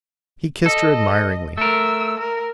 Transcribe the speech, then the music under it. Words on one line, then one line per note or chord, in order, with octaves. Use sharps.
He kissed her admiringly.
A4 D#5
A3 A#4 E6
A#4